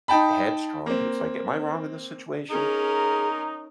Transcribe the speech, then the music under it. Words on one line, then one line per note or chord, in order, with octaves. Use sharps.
headstrong, but it's like, am I wrong in this situation?
D#4 G5 A5 B5
A#3 C4
C#4 D#4 G#4 A#4